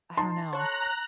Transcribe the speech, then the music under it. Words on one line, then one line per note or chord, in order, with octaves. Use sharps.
I don't know.
D#4 A5 C6
A4 C#5 A#5 F#6